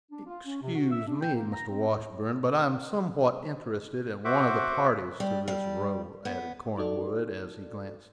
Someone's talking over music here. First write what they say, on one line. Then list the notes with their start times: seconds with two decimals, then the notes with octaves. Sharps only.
"Excuse me, Mr. Washburn; but I am somewhat interested in one of the parties to this row," added Cornwood, as he glanced at me.
0.12 D4
0.26 F4
0.46 C#4
0.62 C3
0.75 F#4
0.91 E5
1.07 D4
1.21 G5
1.35 A#3
1.53 A#5
1.68 C4
1.86 A2
4.25 F#4 C5 E5 F#5 D6
5.20 G3
5.48 G3
6.25 B3
6.77 D#4 F#4 A4 D5